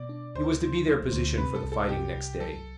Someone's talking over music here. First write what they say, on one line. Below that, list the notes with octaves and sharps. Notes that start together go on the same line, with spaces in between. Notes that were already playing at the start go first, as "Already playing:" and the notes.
It was to be their position for the fighting next day.
Already playing: B2 D5
D4
D2 C5
D3
F#3
D2
C3 B4
A4
C2
A4
C3 G4
C2
F#3 A4